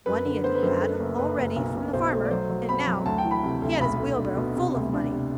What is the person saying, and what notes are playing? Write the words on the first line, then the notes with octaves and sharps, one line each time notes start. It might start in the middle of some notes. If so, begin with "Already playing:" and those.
One he had had already from the farmer, and now he had his wheelbarrow full of money.
F#2 B4
D3
B3 C5
B4
F#2 C5
A3 B4
F#1
F#1 B4
F#1
B1
B2
B1 C5
A3
D5
F#3 C5
F#3
C4 B5
F#3
D2 A5
G5
E3
B5
C3
D2
B1 B5
A3
D4
B2
C3
D2
D4
C3